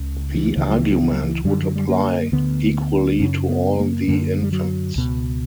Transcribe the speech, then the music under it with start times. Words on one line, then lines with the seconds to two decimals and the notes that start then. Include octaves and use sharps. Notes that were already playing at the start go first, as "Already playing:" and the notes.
The argument would apply equally to all the infants.
Already playing: C#2 C#3
0.35 E3
0.56 C#2 C#3 E3
0.68 F#3
0.79 E3
0.90 F#3
1.02 E3
1.12 F#3
1.24 E3
1.44 F#2 D3 G3
1.63 F#3
1.76 G3
1.89 A#3
2.32 D2 D3 B3
3.20 F#2 C#3 C#4
3.49 B3
3.79 A#3
4.08 F#2 D3 A#3
4.43 G3
4.52 F#3
4.96 C#2 B2